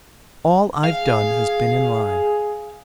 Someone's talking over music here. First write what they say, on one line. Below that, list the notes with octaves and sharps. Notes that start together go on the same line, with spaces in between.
All I've done has been in line.
G#4 F5